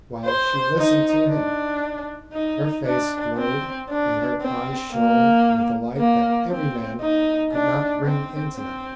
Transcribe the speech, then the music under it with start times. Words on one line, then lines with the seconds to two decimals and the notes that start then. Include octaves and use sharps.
While she listened to him, her face glowed and her eyes shone with a light that every man could not bring into them.
0.25 C5
0.78 D#4
1.30 D4
2.33 D#4
2.86 D4
3.37 C4
3.89 D4
4.42 C4
4.93 A#3
5.98 A#3
6.49 C4
7.01 D#4
7.53 D4
8.05 C4
8.57 C4